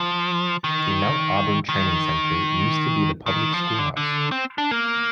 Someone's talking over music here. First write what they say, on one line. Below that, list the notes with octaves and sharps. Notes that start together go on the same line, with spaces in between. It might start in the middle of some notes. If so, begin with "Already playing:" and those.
The Mount Auburn Training Center used to be the public school house.
Already playing: F3
D#3
D#3
D#3
F3
D3
D3
C4
D4
A#3